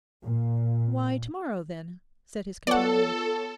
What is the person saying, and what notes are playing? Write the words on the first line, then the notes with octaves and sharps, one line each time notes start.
'Why, to-morrow, then,' said his companion.
A#2
B3 F4 A4 C#5 D5 F#5